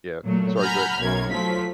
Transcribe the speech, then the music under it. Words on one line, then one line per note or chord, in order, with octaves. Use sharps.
yeah, sorry, go ahead.
A#2 F#3 A3
F#5 G#5 A#5 B5 F6 G6
B1 F#2 A#4 G#6
F3 F#3 A3 F4 B6